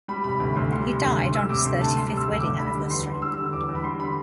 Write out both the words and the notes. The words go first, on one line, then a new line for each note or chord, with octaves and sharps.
He died on his thirty-fifth wedding anniversary.
G3 B5
C3 B5
D2 B5
D2 C6
G3 C6
C3
D2 C6
D2
G3 E6
C3 D6
D2 C6
D2 A5
G3 C6
C3 E6
D2
D6
D2
G3 B5
D3
E2 C6
E2
G3 E6
D3
E2 D6
E2
B5
G3 C6
D3 B5